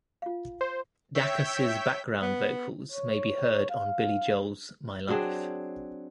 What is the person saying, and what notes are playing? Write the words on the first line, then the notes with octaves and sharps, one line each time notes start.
Dacus' background vocals may be heard on Billy Joel's "My Life".
F4 F5
C5
C#5 E5 G5 E6 G6 B6
B3
C#5
F5
F#3 C4 D4 G#4